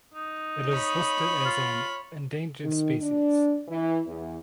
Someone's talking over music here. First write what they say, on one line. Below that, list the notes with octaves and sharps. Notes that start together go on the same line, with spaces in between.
It is listed as an endangered species.
D#4
C#5 B5
F4
D#3
D4
E3
E2